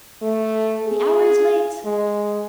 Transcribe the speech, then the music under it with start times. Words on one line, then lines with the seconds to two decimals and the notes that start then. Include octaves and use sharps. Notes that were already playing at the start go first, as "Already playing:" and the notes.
"The hour is late!"
0.22 A3
0.87 G#4
1.85 G#3